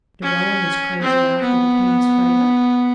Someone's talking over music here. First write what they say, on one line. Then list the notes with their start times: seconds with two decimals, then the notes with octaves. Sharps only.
De Rohan is crazy after the Queen's favor.
0.23 C#4
1.02 C4
1.42 B3